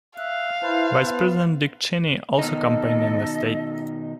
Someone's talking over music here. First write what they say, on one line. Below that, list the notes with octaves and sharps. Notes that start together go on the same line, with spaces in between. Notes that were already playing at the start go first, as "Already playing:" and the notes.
Vice President Dick Cheney also campaigned in the state.
E5 F5 F#6
E4 B4 C5 A5
B3
B2 D#3 D#4 A4 D#5